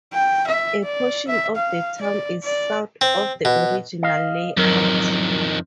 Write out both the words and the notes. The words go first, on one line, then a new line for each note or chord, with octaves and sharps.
A portion of the town is south of the original layout.
G5
E5
D5
E5
F5
D5
D5
C4
B2
D#5 F5
F2 D#3 F#3 A#4